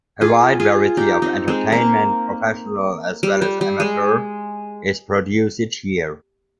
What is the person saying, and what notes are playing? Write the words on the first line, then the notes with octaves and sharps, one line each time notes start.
A wide variety of entertainment, professional as well as amateur, is produced each year.
F4 G#4
F4 G#4
D#4 G4
C4 D#4
G#3 C4
A#3
G3
G3
G3
G#3